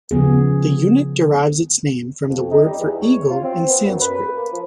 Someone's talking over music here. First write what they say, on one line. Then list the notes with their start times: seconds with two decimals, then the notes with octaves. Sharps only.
The unit derives its name from the word for eagle in Sanskrit.
0.11 C#3 F3 B3 G#4
2.28 F2
2.50 D#4
2.65 G3
2.79 E2
3.01 C#5
3.30 F4
3.43 C4
3.69 B3
3.86 F#2
4.01 B4
4.35 A#3
4.52 F3